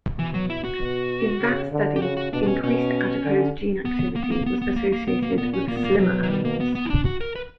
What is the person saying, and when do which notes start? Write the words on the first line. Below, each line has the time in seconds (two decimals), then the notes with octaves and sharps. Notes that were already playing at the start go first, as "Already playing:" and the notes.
In that study, increased adipose gene activity was associated with slimmer animals.
0.18 B2 E3
0.34 F#3
0.50 E4
0.64 F#4
0.80 B2
1.41 C#3
1.72 D3
1.96 G4
2.02 C#3 F#4
2.17 F#4
2.32 B2 D4
2.43 D4
2.47 C#4
2.63 B2 C#4
3.24 D3
3.85 B3
4.16 A#3
4.24 B3
4.31 A#3
4.46 B3
4.62 B3
4.76 A#3
4.93 A#3
5.07 B2 B3
5.22 A#3
5.38 A#2 B3
5.54 C#4
5.68 A#2 A#3
5.77 B3
5.84 A#3
5.99 B2 F#3
6.23 F#3
6.29 G3
6.45 A#3
6.60 B3
6.75 B3
6.85 E4
6.90 D4
7.05 F#4
7.21 A#4
7.35 B4